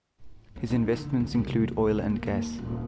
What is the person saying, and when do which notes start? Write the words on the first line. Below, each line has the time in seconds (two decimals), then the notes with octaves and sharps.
His investments include oil and gas.
0.56 C#4
0.70 D#4
0.93 D3
1.20 E2
1.34 C2
1.49 D#2
1.72 C2
1.90 E1
2.09 A#3
2.26 D#2
2.58 D#1